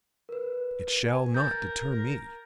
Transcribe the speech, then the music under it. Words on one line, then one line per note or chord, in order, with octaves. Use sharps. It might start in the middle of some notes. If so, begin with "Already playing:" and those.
It shall not deter me.
A#4 B4
G#5
A#4 G6 A6